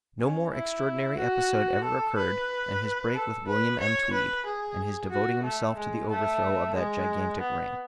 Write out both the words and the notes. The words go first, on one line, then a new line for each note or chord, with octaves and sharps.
No more extraordinary episode ever occurred than his break with William M. Tweed, and his devoting himself to the overthrow of that gigantic ring.
C#4
E4
F#4
A4
B4
A4
B4
C#5
B4
G#4
F#4
A3
G#3
A3
G#3
B3